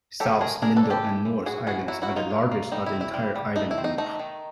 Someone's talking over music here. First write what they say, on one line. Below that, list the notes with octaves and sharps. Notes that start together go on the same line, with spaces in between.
South, Middle and North islands are the largest of the entire island group.
F#3 G4 A4
A3 G#4 A#4
D4 G#4 A#4
A4 B4
D4
G4 A4
E3
E3
E3 F#4 G#4
E3 F#4 G#4
F#3 E4 F#4
E4 F#4
F#3
D#4 F4
D4
A#3
G3 D#4
E4
C4
E4
G3
G3
A3 D#4
E4
C4
D#4
A3 D#4
D#3